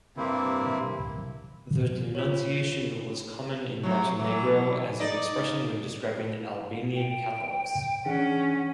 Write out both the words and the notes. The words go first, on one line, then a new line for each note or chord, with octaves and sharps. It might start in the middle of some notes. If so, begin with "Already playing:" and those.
The denunciation was common in Montenegro as an expression when describing Albanian Catholics.
G2 C3 A#3 C4 E4
F4 C#5
C3 F#3
E3 F#3
D#4 D5 D#5
G5
E3 C#4 D4 G#4 F#5